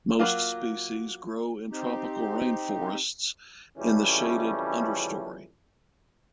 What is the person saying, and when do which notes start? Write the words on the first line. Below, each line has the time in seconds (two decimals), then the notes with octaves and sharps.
Most species grow in tropical rain forests in the shaded understorey.
0.19 F#3 G3 A#3 F4
1.71 C4 D#4 G4
3.78 F2 C#3 E3 G3 A3 C#4